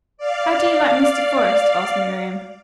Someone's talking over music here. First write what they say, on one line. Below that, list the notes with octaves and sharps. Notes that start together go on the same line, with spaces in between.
"How do you like Mr. Forest?" asked Miriam.
D5 F5